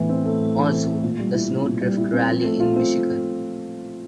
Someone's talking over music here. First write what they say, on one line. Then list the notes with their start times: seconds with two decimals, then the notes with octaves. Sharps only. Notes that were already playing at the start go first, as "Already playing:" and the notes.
Also, the Sno Drift Rally in Michigan.
Already playing: A2 E3 B3
0.09 C4
0.25 A3
0.41 A2
0.56 E3
0.72 C4
0.87 A3
1.03 A#2
1.19 G3
1.34 E4
1.51 C4
1.66 A#2
1.81 G3
1.97 E4
2.13 C4
2.29 F3
2.44 A3
2.60 F4
2.76 C4